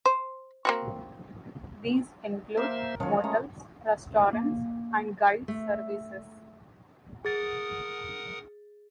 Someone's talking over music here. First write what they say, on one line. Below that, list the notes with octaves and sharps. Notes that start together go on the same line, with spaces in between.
These include motels, restaurants, and guide services.
C5
A#3 C4 F#4
A#3 A#4 C5 E5
D#3 F3 F#3 C#4 F4 C#5
G#3 A3 C#4 A#5
A#3
A3
G#4 A#4 F#5 D#6 A6